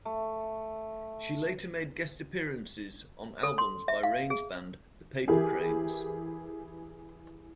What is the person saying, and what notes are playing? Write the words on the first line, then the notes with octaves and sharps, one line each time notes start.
She later made guest appearances on albums by Rain's band, the Papercranes.
A3
A4
C6
E5
F5
G#4
E3 E4 G4 G#4 A#4